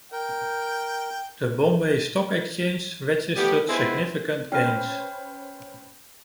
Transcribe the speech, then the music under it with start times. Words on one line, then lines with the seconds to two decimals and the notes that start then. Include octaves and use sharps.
The Bombay Stock Exchange registered significant gains.
0.12 A#4 G5
3.36 G3 A3 B3 G4
3.68 G#3 B3 C4 E4 B4 G#5
4.52 C#4 B4 C5 G5 F6